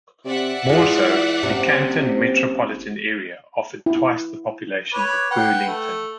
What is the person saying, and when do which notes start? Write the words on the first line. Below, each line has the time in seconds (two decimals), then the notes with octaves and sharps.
More so, the Canton metropolitan area offered twice the population of Burlington.
0.25 C3 D5 E5 F#5
0.69 E3 G#3 F4
1.43 F#1 C3
3.86 E4
4.93 B4 C#5 D6
5.30 B4 F#5 G5
5.67 A3